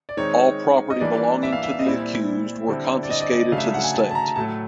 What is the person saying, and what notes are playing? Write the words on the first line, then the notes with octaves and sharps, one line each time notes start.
All property belonging to the accused were confiscated to the state.
D5
D#3 G#3 C4 D#4 C#5
D#5
E3 G3 A#3 D4 D5
E5
F5
E5
D#5
A#2 G3 C4 E4 E5
D3 G3 C4 E4
D5
D#5
D5
D5
D#5
C#3 F#3 A3 D4 F5
E5
F5
F#5
G#5
A5
A5
A#5
A2 F#3 A3 A5